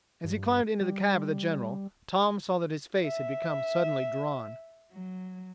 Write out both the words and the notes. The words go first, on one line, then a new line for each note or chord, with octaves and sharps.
As he climbed into the cab of the General, Tom saw that his face had become suddenly drawn.
G2
G3
E5
F#3